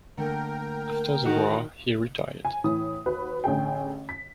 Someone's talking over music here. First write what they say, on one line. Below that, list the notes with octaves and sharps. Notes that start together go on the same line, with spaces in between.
After the war he retired.
D3 A3 A#3 A#4 G5
D#3 D#4 F#4
G#5
A2 E3 D#6
D#2 F#4 B4
A1 D3 G#4 G5
B6